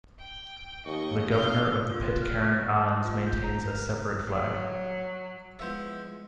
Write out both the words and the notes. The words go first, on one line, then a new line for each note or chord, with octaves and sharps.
The Governor of the Pitcairn Islands maintains a separate flag.
G5
D#2 D#5 C#6
A#1 A#2 F5 G6
F4
B4
F6
C#6
A5
F4
G6
A#5
A#4
F#3
F3 G#3 B3 E4 C5 E5